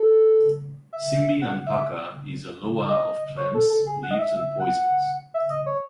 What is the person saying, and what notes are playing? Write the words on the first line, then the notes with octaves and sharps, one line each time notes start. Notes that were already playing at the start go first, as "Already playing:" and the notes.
Simbi Anpaka is a Loa of plants, leaves, and poisons.
Already playing: A4
E5
F#5
E5
D#5
C#5
A4
A4
G#4
F#5
D#5
E5
E5
F#5
E5
D#5
C#5